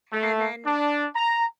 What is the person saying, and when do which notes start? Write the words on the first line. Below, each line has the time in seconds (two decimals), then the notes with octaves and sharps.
And then
0.13 A3
0.66 D4
1.16 A#5